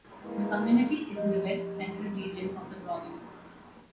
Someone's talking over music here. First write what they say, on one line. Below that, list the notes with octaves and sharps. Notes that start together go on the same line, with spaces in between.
The community is in the west central region of the province.
G#2 E3 A#3 E4
F3 G4 D#5